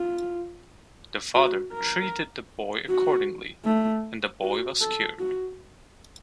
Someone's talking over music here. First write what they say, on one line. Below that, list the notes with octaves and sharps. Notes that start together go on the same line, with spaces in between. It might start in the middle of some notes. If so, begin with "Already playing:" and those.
The father treated the boy accordingly, and the boy was cured.
Already playing: F4
F#4
A#4
F#4
A3
F#4
A4
F#4